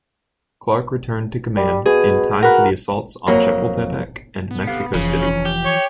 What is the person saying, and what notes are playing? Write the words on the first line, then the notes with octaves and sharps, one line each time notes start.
Clarke returned to command in time for the assaults on Chapultepec and Mexico City.
G3
B2 G#4
F#4 A#4 B4
F2 F#3 A#3 B5
B3
G4 A4 F5
F1 C#3 E3 F3
C#4
G4
C#5 C#6